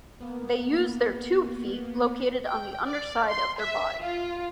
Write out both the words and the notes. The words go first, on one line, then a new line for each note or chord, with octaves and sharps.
They use their tube feet located on the underside of their body.
A#3 B3
G5
D5
C6
E5
F4